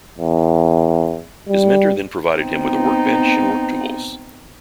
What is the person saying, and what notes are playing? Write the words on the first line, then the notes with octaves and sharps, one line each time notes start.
His mentor then provided him with a workbench and work tools.
E2
G3
B3 C4 D#4